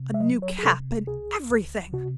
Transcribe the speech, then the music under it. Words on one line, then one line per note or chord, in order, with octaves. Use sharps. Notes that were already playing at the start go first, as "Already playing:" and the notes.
A new cap, and everything!'
Already playing: C3
E5
F#3 D#5
C#5
G#4
C3 A4
C#2 G#4
C#2
C3 F#4